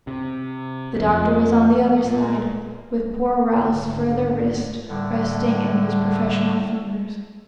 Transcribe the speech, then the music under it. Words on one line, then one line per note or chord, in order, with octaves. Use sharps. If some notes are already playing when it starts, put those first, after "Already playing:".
The doctor was on the other side, with poor Ralph's further wrist resting in his professional fingers.
C3
F2
A#2
G#1 D3
A2 D3 G3